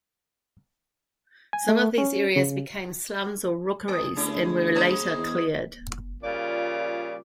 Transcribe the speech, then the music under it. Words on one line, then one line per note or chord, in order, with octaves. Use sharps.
Some of these areas became slums or 'rookeries', and were later cleared.
G#5
A3
C#4
C#3
A3
D2 G#3 C#4 E4
G#3 A#3 D#5
E2
A#2 C#3 G3 F4 D5